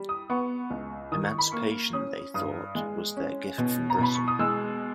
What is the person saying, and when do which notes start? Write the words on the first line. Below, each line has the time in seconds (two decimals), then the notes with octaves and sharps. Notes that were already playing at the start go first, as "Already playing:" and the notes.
Emancipation, they thought, was their gift from Britain.
Already playing: G3
0.09 D#6
0.30 B3 C#6
0.70 C#2
1.12 D#3 D#6
1.25 C#6
1.38 B5
1.52 A#3 C#6
1.93 C#4 D#6
2.34 G2 D#6
2.75 G#3
3.17 C#4
3.58 B2
3.90 A#5
3.99 B2 B5
4.15 C#6
4.28 D#6
4.39 G#3 E6